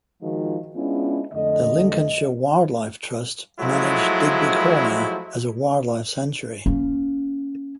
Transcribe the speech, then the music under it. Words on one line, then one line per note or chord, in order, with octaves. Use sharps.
The Lincolnshire Wildlife Trust manage Digby Corner as a wildlife sanctuary.
D#3 F3 G#3 D#4 F4 F#4
G#3 B3 C#4 D4 E4 F4
F2 D3 A3 D#5
F3 F#3 G#3 A3 E4
A#3 C#4